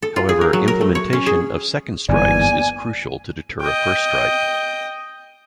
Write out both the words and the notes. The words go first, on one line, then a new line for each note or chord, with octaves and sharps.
However, implementation of second strikes is crucial to deter a first strike.
A4
F4
G#4
A#4
F#3
A#4
A3
C#5
C#4
G#4
G1 E2 G#2 A#3 B3 D5 G#5
D#5 G5